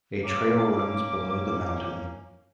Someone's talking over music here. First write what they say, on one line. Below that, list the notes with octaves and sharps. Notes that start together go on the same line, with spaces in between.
A trail runs below the mountain.
A#3 C#4 D6